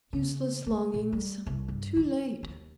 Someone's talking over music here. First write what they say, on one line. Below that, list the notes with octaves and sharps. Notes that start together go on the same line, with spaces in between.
Useless longings! Too late!
C#3
A3
A#2
G3
C2
G2
D#3
D#2